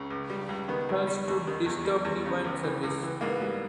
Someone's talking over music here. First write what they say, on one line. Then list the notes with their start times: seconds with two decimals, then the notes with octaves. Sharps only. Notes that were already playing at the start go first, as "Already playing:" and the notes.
Thus to disturb divine Service!
Already playing: C#2 C#3
0.10 C#2
0.30 G3
0.49 C#2
0.68 D#3 B3
0.89 D#2
1.07 G3
1.28 D#2
1.47 D#3
1.66 E2
1.85 G3
2.05 E2
2.25 C#3
2.44 C#2
2.63 E3
2.83 C#2
3.03 E3
3.21 G#2 A#3
3.28 B3
3.42 G3